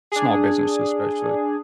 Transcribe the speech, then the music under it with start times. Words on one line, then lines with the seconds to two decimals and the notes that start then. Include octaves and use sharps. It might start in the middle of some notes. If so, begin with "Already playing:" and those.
small businesses, especially.
0.12 D4 G#4